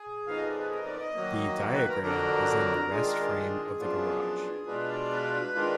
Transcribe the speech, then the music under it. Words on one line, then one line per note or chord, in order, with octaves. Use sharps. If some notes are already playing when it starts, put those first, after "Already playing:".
The diagram is in the rest frame of the garage.
Already playing: G#4
F2 F3 B3 D#4 F5
D#5
D5
B4
A#4
D#5
D5
D#5
D#3 F#3 A#3
B4
A#4
F2 D3 F#3 D4 A#4
D#3 G#3 D4 F4 G#4
A#4
G#4
G#4
F#2 F3 B3 D4 F4
B2 G#3 D4 F4 B4
D5
B4
D#3 G#3 D4 F4